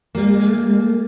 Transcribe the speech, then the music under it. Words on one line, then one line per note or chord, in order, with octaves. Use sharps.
Mhm, mhm.
A#3